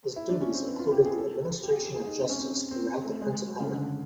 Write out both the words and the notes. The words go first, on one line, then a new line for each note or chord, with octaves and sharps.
His duties included the administration of justice throughout the principality.
E4
D4
C#4
C4
B3
F4
G4
G#4
A4
G4
G#4
A4
G#4
D#4
C4
C#4
C4
C4
A3
G#3
F#3
C#3
D3